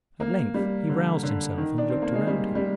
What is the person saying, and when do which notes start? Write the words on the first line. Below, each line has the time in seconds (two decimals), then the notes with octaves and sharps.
At length he roused himself and looked around him.
0.20 A#3
0.54 G3
0.89 D3
1.23 D3
1.58 D#3
1.78 D4
1.90 C4
2.02 A#3
2.14 G#3
2.27 G3
2.55 G3